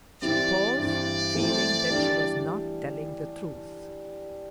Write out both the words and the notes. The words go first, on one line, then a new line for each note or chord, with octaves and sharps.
She paused, feeling that she was not telling the truth.
E3 G3 C4 E4 D5
G2 E3 C4 D5
E3 A3 C4 E4
E3 G3 D4